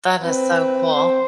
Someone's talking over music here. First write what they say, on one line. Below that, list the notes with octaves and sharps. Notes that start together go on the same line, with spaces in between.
That is so cool.
C4 B4
C4 C5